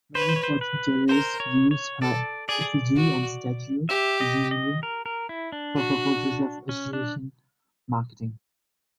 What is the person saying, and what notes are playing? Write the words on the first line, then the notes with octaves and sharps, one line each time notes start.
Many fortune tellers used her effigy and statue, presumably for purposes of association marketing.
B4 C5
C#5
C5
C#5
C5
B4
A#4 C5
C#5
C#5
A4 D5
G#4 D5
F#4
G4 E5
D#5
D#5
A#4
A#4
E4
D4
F#4
C#4
D4